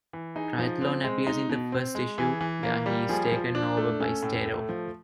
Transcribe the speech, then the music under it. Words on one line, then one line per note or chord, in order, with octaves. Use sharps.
Triathlon appears in the first issue where he is taken over by Starro.
E3
D#4 G#4
F3
C4
G#3
D#4
B2
C4
G#3
E3 G#4
E3
A#3
G3
F3 G#4
F3
D4
A3
C#4 A4
A2
A3
F3